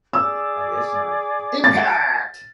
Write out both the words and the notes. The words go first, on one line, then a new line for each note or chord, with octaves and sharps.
On this night, Impact!
G#4 D5 D6 E6
A6